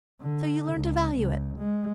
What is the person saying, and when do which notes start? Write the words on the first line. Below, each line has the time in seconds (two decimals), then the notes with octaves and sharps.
So you learn to value it.
0.21 D3
0.73 C#2
1.17 C#2
1.58 G#3